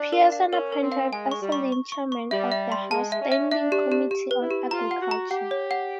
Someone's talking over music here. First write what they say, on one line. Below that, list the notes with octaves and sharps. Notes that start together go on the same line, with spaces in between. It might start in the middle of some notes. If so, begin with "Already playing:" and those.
Pearson appointed Asselin chairman of the House Standing Committee on Agriculture.
Already playing: D4
A#4
F5
C#4 A#4
A#4
C4
F5
G#3 G#5
C#6
G3
C#6
C#6
C#6
C#6
G3 E5
E5
C6
G#3 A5
E5
C#4
E5
D4 E5
G4
G4
G4
B4
E4
G4
F4 A#5
F#5
F#4
A#5
G4 F#5
C#5
F#5